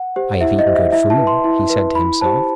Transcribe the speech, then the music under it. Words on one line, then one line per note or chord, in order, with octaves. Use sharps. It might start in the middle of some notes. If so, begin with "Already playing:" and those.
"I have eaten good food," he said to himself.
Already playing: F#5
G4 C5
E4 E5
D#5
G4 C5
E5
E4 E5
A5
B4
C6
E4
B4
E4 B5
G4 C5 A5